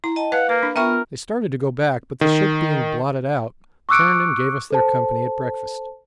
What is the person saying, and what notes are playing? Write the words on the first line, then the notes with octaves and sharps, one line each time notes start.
They started to go back, but the ship being blotted out, turned and gave us their company at breakfast.
E4 A#5
D#5 G5 A5
B4 D#5 F5 F#5
A#3 B4
D4
B3 F4 A#4 E5 G5 A#5 C#6
D#3
C#6 D6 E6 F#6 C#7 D7
A4 C5 A5